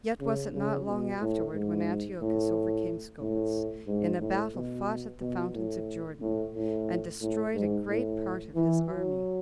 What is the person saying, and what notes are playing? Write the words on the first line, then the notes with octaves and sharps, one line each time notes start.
Yet was it not long afterward when Antiochus overcame Scopas, in a battle fought at the fountains of Jordan, and destroyed a great part of his army.
C#3
C#3
B2
A2
G#2
A2
A2
G#2
A2
B2
B2
A2
A2
A2
A2
G#2
A2
E3
F#3